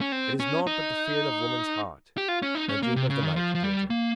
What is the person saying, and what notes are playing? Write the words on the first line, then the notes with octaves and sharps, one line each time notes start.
It is nought but the fear of woman's heart, And a dream of the night, Deirdre.
C#4
C4
C#4
D#4
G4
F4
C#4
D#4
C#4
A#3
C3
C#3
D#3
F3
F3
G3
A#3